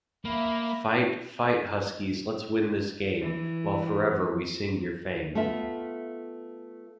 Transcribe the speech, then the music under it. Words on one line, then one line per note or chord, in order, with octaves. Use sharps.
Fight, fight Huskies let's win this game, while forever we sing your fame.
A#3 E5 B5
E3
A3 B3 F4 E5